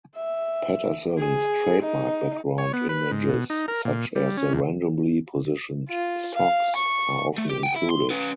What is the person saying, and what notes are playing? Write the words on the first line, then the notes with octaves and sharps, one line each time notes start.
Paterson's trademark background images, such as the randomly positioned socks, are often included.
E5
G#4
D#4
C#5
B3
B4
G#2
B2
D#4
A#4
A#2
G3
C#4
D#2
F4
F5
C#6
A3
G4
F#5 G5
E4
C6
C#4 B4